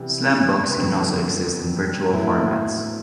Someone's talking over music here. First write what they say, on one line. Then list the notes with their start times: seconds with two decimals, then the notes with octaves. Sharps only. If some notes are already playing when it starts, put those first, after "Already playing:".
Slam books can also exist in virtual formats.
Already playing: C3 E3 G3 B3
0.76 F2 D3 F#3 B3
2.12 A2 F#3 B3 E4